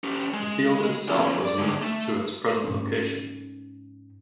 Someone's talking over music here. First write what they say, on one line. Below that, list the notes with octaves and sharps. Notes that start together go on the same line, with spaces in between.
The field itself was moved to its present location.
C#4 G4
G#3
F3 C#4
D5
D3 G#3
A3
G#2 C#4